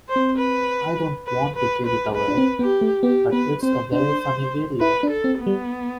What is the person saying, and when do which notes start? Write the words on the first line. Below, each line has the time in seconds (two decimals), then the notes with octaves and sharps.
I don't want to give it away, but it's a very funny video.
0.09 C5
0.16 C4
0.37 B4
1.27 B4
1.56 B4
1.86 B4
2.15 B4
2.28 D4
2.38 C4
2.59 B3 G4
2.81 A3
3.03 B3 G4
3.32 B3 B4
3.63 C4 C5
3.92 D4 C5
4.80 E4 B4
5.03 D4
5.10 A4
5.24 C4
5.39 B3
5.47 G3